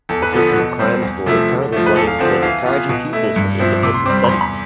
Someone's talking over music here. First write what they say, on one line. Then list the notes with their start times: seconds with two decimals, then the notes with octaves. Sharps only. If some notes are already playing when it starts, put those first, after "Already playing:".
The system of cram school is currently blamed for discouraging pupils from independent studies.
0.09 E2 A4
0.22 B4
0.32 D3 F3 B3 A4
0.56 B2
0.79 G3 C4
1.02 E2
1.26 C3 F3 A3 E4
1.49 D3
1.72 F3 A3
1.86 B4
1.96 E2 A4
2.07 F5
2.19 D3 F3 C4
2.43 E3 F5
2.66 B3 F4
2.89 B2
3.13 A3 E4
3.36 G2
3.59 F3 C4 E4
3.83 C3 D6
3.94 C6
4.06 C4 D6
4.10 G3
4.18 C6
4.24 B5
4.29 E2 C6
4.41 B5